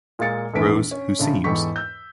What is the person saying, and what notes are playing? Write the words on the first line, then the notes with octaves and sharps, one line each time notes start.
Rose who seems.
A#2 G#3 F5 A6 C#7
A#1 E2 A3 B4 B6 D7
C#4
A#1 C#3 A5
E2 G#2 A4 G5 C#6 B6
E6 G6